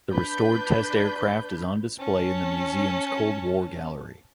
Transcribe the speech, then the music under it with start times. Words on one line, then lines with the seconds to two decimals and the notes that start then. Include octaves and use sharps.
The restored test aircraft is on display in the museum's "Cold War Gallery".
0.12 D4 B4 G6
1.99 C#4 A5